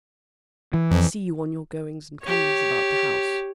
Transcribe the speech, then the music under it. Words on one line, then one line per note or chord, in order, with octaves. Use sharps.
I see you on your goings and comings about the house.
E3
F2
G4 C#5